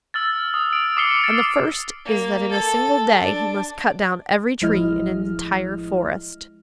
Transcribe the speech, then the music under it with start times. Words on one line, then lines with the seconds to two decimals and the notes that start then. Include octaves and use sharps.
And the first is that in a single day he must cut down every tree in an entire forest.
0.14 E6 F6 A6
0.54 D#6
0.73 D7
0.97 D6 D#6 C7 C#7 G7
1.22 A6 D7
2.05 A#3
2.51 A4
3.23 D4
4.61 A1 F3 G#3 E4 D#5 F6